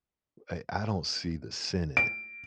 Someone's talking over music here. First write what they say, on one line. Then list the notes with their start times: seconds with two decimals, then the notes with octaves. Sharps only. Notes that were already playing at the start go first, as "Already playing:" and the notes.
a I don't see the sin in it.
1.97 D7